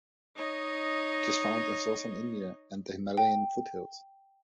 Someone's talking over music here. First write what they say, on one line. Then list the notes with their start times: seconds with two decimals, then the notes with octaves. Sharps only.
It is found in southern India and the Himalayan foothills.
0.35 D#4 C#5 D#5
3.17 G5